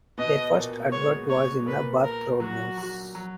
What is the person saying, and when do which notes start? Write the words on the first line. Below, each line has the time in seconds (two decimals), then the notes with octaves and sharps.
Their first advert was in the "Bath Road News".
0.18 B2 B3 D#5
0.55 A#2 A#3
0.92 G#3 C#5
1.30 C#5
1.66 A#2 A#3 B4
2.04 A#4
2.40 F#3 F#4
2.78 F#3
3.15 F#3